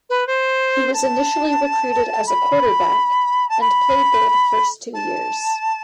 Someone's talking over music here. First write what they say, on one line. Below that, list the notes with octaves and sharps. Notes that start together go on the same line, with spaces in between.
He was initially recruited as a quarterback and played there the first two years.
B4
C5
A5
B5
A5
B5
A5